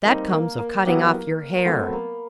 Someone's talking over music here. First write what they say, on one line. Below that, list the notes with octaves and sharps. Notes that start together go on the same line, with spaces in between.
"That comes of cutting off your hair."
G3 A#3 C4 D#4 G4
A#3
A#3
F#3 B3 E4 G4
A#3
F#3 A3 B3 C4
A#3